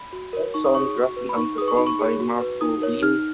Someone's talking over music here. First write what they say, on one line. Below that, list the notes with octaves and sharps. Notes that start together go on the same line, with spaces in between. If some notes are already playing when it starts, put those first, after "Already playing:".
All songs written and performed by Marko Laiho.
Already playing: B5
F#4
A#4 C#5
D#4 C#6
D#6
G#4 C#5 C#6
F#4
B4
B5
D#4 C#6
G#4 B4 D#6
C#6
D#4 B5
C#6
G#4 C#5
F#4
B4
D#4 D#6
A#4 C#5
D#4 F6